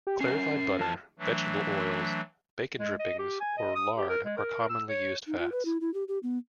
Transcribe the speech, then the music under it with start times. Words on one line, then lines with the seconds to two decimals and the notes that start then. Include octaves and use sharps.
Clarified butter, vegetable oils, bacon drippings or lard are commonly used fats.
0.07 G4
0.21 C#4 A#4 C7
0.79 F2 E3 A5
1.19 E3 F#3 A3 D4
2.80 G#3
2.99 D#5
3.19 G4
3.40 G#5
3.57 D#5
3.75 D#6
3.98 G4
4.09 A#4
4.25 G#3
4.37 A#4
4.69 E6
4.89 C#5
5.27 D#4
5.38 F4
5.52 B4
5.65 E4
5.81 E4
5.94 G4
6.08 G4
6.23 B3